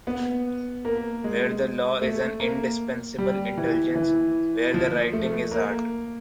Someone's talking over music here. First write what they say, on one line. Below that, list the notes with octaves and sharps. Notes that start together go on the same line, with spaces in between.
Where the law is an indispensable indulgence, where the writing is art.
B3
A#3
G#3
A3
A#3
G3
E3
E3
F3
A3
A#3